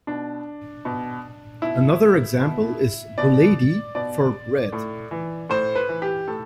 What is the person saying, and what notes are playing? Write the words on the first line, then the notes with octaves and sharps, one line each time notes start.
Another example is "buledi" for "bread".
B2 D4
B2
B2 E4
B2
B2 D5
B2 D5
A2
E3
A2 C5
B4
E3
G4
A2 A4